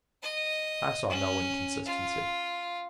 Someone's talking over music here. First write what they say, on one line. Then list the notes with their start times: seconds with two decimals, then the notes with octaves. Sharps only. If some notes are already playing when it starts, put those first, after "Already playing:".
I saw no inconsistency.
0.22 D#5
1.09 C#4
1.86 F4